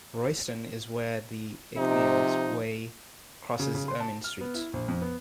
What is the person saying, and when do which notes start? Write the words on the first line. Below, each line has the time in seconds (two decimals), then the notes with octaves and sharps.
Royston is where the Icknield Way crosses Ermine Street.
1.77 C3 F3 D#4
3.59 C#3
3.74 C#3
3.88 C6
4.00 A5
4.24 F6
4.41 B3
4.54 E4
4.73 A#1
4.88 F2
5.02 B3